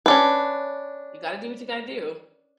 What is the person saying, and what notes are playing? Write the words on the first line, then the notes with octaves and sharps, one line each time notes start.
You gotta do what you gotta do.
C#4 D4 B4